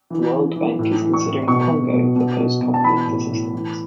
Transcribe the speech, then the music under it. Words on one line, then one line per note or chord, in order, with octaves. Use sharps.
The World Bank is considering Congo for post-conflict assistance.
E3
E3
E3
A2
E3
C#6
A2
B2 C#6
B2
B2
B2
B2
B2
A5
E3 B5
A2
A2
E3